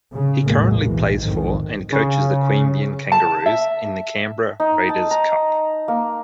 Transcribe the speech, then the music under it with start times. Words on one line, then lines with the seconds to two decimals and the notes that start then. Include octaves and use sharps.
He currently plays for and coaches the Queanbeyan Kangaroos in the Canberra Raiders cup.
0.14 C#3
0.45 B1 E2 A2 G#3 A#3
0.81 B1 A#2 E3
1.21 B1 F2 G#2 D#3
1.92 C#3
3.12 A5
3.46 E5
4.60 D#4
4.89 A5
5.11 A#5
5.88 A#3